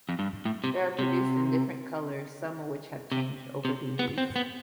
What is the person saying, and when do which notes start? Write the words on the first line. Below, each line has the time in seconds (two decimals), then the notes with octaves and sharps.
They are produced in different colors, some of which have changed over the years.
0.09 F2
0.19 G2
0.45 A2
0.64 C3
0.99 C3
3.12 C3
3.65 C3
3.99 B3
4.18 C4
4.36 B3